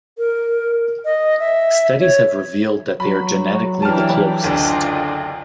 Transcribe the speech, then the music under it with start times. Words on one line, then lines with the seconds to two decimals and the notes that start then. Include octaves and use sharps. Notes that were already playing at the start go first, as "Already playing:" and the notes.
Studies have revealed that they are genetically the closest.
0.18 A#4
1.05 D#5
1.39 E5
2.01 C#5
3.00 F#3 F#4 B5
3.82 E3 D4 G4 G5 A5 F6
4.43 F#1 D2 D4 F4 D#5